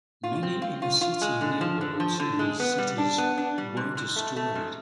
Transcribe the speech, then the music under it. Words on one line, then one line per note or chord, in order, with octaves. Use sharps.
Many inner city neighborhoods in these cities were destroyed.
F4
C4
F4
F4
F4
G#3
D3
F3
D3
F3
D3
G#3
B3
G3
D4
B3
D4
G3
G#2
G#2
A3
A3
G#2